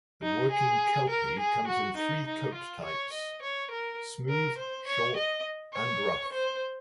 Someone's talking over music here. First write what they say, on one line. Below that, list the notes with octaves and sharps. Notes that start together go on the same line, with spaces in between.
The Working Kelpie comes in three coat types: smooth, short, and rough.
D#4
G#4
A#4
G#4
F#4
D#4
D#4
F4
C#5
D#5
C#5
A#4
A#4
C5
C#5
D#5
C#5
C5